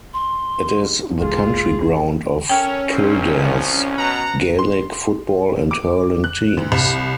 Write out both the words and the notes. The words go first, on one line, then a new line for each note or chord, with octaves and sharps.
It is the county ground of Kildare's gaelic football and hurling teams.
C6
F#1 C2 G#3 F4 G#4
C#4 A4 A#4 C#5 G5
C2 A#2 C4
F3
B2 B4 F#5 A#5
C6
D6
F#6
D2
C2